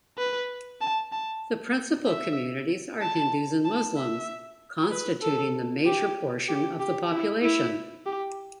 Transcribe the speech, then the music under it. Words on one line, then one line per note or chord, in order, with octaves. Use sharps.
The principal communities are Hindus and Muslims, constituting the major portion of the population.
B4
A5
A5
E5
A5
A5
E5
B4
A4
G4
G4
G4
E4
E4
G4